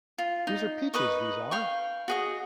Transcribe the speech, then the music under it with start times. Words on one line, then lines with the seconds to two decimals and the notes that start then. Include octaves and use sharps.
These are peaches, these are.
0.18 F4
0.47 D#4
0.94 D#4 B4 D#5 C#6
1.51 F5 G5 C#6
2.08 F#4 G#4 D#5